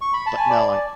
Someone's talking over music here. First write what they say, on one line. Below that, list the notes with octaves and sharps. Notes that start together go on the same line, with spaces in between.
but no, I
C#6
B5
A5
G#5
D5